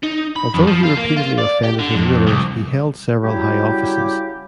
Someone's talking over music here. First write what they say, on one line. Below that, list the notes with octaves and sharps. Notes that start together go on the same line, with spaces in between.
Although he repeatedly offended his rulers, he held several high offices.
D#4
B5
F2
F3
F4
A#3
F4
D5
G4
D3
F2
C2
C#3 F#3 G3 E4 G4